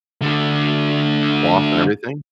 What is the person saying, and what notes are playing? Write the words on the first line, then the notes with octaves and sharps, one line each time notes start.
floss and everything?
D3 A3